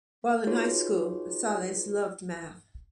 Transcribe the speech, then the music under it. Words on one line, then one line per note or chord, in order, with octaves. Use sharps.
While in high school Salles loved math.
D#4 F4 F#4 G#4 B4 C#5